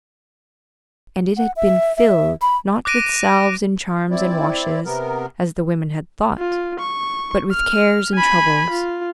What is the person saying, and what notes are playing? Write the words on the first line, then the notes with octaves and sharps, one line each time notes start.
And it had been filled, not with salves and charms and washes, as the women had thought, but with Cares and Troubles.
F#5
E5
E5
B5
D6 F#6 A#6 D7 D#7
C4 E4 D5
C3 B3 A#4
F4
C#6
F6
G#5 B5
F4